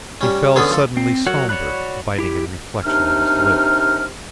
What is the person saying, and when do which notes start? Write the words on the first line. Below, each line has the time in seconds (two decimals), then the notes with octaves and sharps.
He fell suddenly sombre, biting in reflection at his lip.
0.21 G3 C#4
0.56 D3 B3 C#4 G#4 A4
0.71 F3 A4
0.97 C4
1.27 F#3 F#4 A#4 C#5 F#5
1.49 F#4 C#5 D5 B5 F#6
2.19 E4 G4
2.85 D#2 C3 D4 D#4 F6